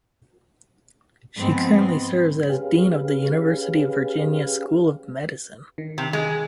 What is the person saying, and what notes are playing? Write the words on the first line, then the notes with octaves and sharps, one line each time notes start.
She currently serves as Dean of the University of Virginia School of Medicine.
G#2 F3 B3 C4
C#4 G4 G#4 B4 F5
D#3
C3
G#3